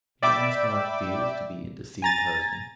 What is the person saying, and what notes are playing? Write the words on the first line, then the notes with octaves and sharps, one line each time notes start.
You ask how it feels to be a deceived husband.
D5 E5 G5 B5 D6 E6
G#5 A#5 A6